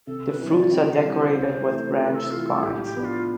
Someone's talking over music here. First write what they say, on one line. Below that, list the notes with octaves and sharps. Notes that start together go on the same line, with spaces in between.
The fruits are decorated with branched spines.
C3 A4
B4
E3 G3
D5
C3 G5
F5
E3 G3
C5
C3
E3 A3
C3 B4
A4
E3 A3 F4
A4
A2 G4
G4
F3 B3 D4
F4